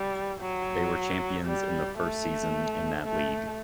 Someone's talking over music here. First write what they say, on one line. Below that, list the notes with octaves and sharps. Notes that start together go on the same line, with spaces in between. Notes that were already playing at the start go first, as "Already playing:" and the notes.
They were champions in the first season in that league.
Already playing: G3
F#3
G3
A3
A3